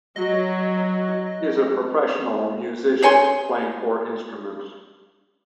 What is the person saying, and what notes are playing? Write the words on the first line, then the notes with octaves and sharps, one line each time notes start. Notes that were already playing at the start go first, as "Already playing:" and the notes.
He is a professional musician, playing four instruments.
F#3 D#5
G#4 C#5 G#5 C6